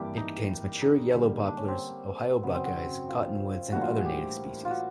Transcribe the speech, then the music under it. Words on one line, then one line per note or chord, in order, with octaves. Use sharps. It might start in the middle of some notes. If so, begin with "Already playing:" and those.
It contains mature yellow poplars, Ohio buckeyes, cottonwoods, and other native species.
Already playing: G#1 G2 E3 G3 A#3 G4
D#4
D#4
D3 G3 A#3
D4
C#4
C4
G#1 F#2 C#3 B3
C4
F#4
F#4
F4
A2 E3 G3 A#3 D4 F#4
F4
F#4
G#4
G4
F4
F#4